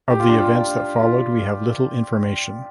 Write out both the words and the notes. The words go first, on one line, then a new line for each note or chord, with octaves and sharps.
Of the events that followed we have little information.
G4
F4
D4
F4
D4
F4